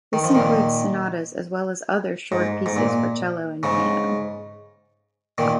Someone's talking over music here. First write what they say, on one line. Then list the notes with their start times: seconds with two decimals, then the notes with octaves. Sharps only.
This includes sonatas as well as other short pieces for cello and piano.
0.13 D#3
0.24 F3
0.35 A#2 D#3
2.32 G#2
2.66 G#2
2.76 A#2
3.63 G#2 C#3
5.38 A#2 D#3